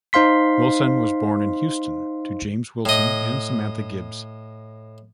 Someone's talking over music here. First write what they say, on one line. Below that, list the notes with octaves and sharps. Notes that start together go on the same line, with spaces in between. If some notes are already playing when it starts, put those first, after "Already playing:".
Wilson was born in Houston to James Wilson and Samantha Gibbs.
D#4 C5 F5 C6 B6
A2 D#5